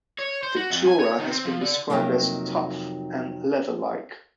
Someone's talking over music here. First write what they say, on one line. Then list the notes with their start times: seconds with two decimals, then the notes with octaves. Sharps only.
The dura has been described as "tough" and "leather-like".
0.19 C#5
0.43 C5
0.57 F#4
0.70 F2
0.86 G#5
1.00 C#5
1.19 D#3
1.31 C4
1.45 F3
1.62 D3
1.90 F2 G#2 C3 D#3 F#3 A#3